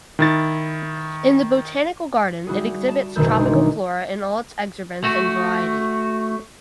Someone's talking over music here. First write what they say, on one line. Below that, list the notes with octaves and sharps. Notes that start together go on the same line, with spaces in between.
In the botanical garden it exhibits tropical flora in all its exuberance and variety.
D#3 E4 A6
G3 E4 F#4 G#4
A5
F#1 B1 D#3 A3 A4 G6
G#3 A3 D4 D#4 F4
A3 F#4